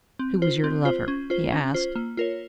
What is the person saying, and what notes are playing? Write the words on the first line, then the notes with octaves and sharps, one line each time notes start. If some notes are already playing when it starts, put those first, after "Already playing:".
"Who was your lover?" he asked.
C4
F4 C5
C4
F4 C5
C#4
F4 C5
C#4
F4 C5
A#3
F4 A#4 C#5